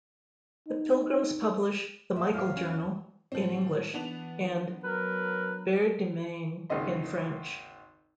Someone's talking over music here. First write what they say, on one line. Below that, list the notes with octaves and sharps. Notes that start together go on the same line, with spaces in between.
The Pilgrims publish "The Michael Journal" in English and "Vers Demain" in French.
D#4
A#2 E5
E2 A2 F5
C#4
A2 F3 C4
E3 B3 D4 F7
F#3 A#4 B4
G#1 D#2 C#3 D#5 C6